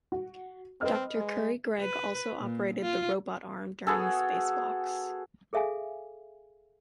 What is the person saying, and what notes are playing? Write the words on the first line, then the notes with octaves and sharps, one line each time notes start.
Doctor Currie-Gregg also operated the robot arm during the space walks.
F#4
C4 B4 D#5 F6
G#3
B4
A#2
F4
B3 F#4 G#4 A4
G#4 A4 E5 F5 G#5